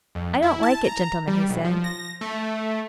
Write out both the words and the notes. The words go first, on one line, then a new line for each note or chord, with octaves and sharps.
'I don't like it, gentlemen,' he said.
F2
E4
A5
A#5
G3
B1
F3
A#6
A3